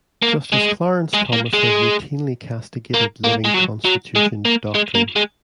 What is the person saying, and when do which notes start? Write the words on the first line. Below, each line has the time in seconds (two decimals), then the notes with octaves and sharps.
Justice Clarence Thomas has routinely castigated "living Constitution" doctrine.
0.23 A#3
0.53 G#3
1.14 G#3
1.33 A#3
1.53 G#3
2.94 A#3
3.24 A#3
3.45 G#3
3.54 F#3
3.85 F#3
4.16 G#3
4.45 A#3
4.75 G#3
4.95 A#3
5.16 G#3